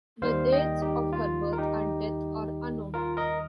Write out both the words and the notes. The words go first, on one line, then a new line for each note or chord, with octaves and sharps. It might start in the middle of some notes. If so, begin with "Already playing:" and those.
The dates of her birth and death are unknown.
D#2 D#3 G3 C5 F5
D#5 G5
D#4 G4
F4
A#4
D#4 G4
F4 A#4
A#4 D#5